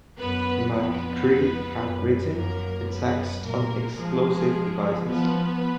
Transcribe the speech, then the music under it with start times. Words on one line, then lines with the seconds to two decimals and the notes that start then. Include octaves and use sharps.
McCree had written a text on explosive devices.
0.18 F#2 B3 B4
0.72 F2 B3 B4
1.26 F2
1.80 F#2
2.34 F#2 A#3 A#4
2.89 B3 B4
3.43 A#2 A#3 A#4
3.97 F3 G#3 G#4
5.05 F3 B3 B4